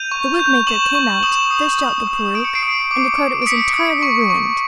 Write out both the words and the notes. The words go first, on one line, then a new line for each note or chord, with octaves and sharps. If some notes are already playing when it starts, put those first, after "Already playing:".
The wig-maker came out, fished out the peruke, and declared it was entirely ruined.
Already playing: G6 D#7 F7
C#6
G6
C#6 E7 F#7
C#6
D#6 E7 F#7
D#6
D#6
D#6
D#6 D7
C#7
C7 D7
D#6
D6
D6
D7
D#6 B6 C#7
D#6
C#6
C#6